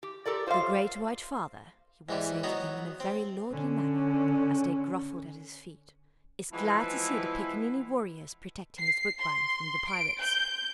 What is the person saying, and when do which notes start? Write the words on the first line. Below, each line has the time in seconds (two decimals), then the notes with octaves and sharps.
'The great white father,' he would say to them in a very lordly manner, as they grovelled at his feet, 'is glad to see the Piccaninny warriors protecting his wigwam from the pirates.'
0.03 G4
0.26 G4 A4 A#4 D5
0.47 F4 C5 C#5 D#5 F5
2.09 G#2 E3 G3
2.43 F#3 B3 D#4
3.00 C4
3.51 D3 C#4
6.52 E3 F3 G#3 B3 E4
8.78 C7
9.20 C6
9.89 D7
10.22 G6